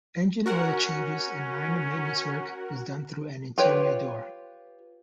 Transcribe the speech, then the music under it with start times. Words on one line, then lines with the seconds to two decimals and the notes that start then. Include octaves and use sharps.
Engine oil changes and minor maintenance work is done through an interior door.
0.46 C#4 F#4 A#4 F#5
3.58 F4 G4 B4 C#5